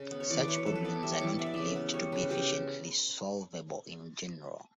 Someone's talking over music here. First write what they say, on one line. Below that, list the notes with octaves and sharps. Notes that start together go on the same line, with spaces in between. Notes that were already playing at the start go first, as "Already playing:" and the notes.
Such problems are not believed to be efficiently solvable in general.
Already playing: C#3
B3
C#5
E3 D5
B4
E3 C#5
B4
E3 A4
B4
B3 D5
G3 E5
C#5
E3 D5
B3 E5
D5
C#3 E5
B3
G3 C#5
C#3 B4
C#3 G4